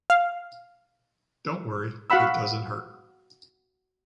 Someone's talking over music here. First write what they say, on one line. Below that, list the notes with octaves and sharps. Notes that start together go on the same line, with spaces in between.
Don't worry, it doesn't hurt.
F5
F#4 F5 F#5 B5 E6